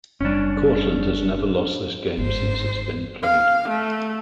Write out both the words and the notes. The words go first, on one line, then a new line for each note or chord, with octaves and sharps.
Cortland has never lost this game since its been played.
F#1 G3 C#4 D4
G1 G#2 D#3 C5
F5
A3